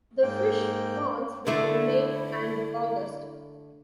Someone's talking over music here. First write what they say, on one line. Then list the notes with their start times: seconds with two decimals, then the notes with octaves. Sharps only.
The fish spawns between May and August.
0.23 G#2 A#3 G5
1.47 D3 A3 E4